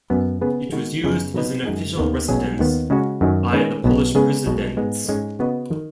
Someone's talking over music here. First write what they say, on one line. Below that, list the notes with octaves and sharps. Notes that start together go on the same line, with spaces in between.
It was used as an official residence by the Polish presidents.
F#2 F#3 B3
C#3 B3 G#4 B4
D#3 G#3 B3 F#4 B4
F#2 C#3 B3 G#4 D#5
B2 F#3 D#4 B4 D#5
F#2 D#3 G#3 D#4 G#4
D#2 D#3 B3
B1 B2 F#3 C#4 G#4
D#2 D#3 B3
C#3 G#3 C#4 F#4
F#2 D#3 F#3
D#3 G#3 C#4 B4 D#5
B1 B2 B3
C#3 G#3 B3 G#4
B1 B2 G#3
G#2 G#3 B3
G#2 G#3 C#4
C#3 B3 F#4 B4 D#5
D#3